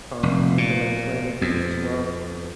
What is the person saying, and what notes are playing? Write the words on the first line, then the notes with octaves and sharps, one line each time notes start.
Uh, I remember, like, playing the games as well.
F1
A#2
F2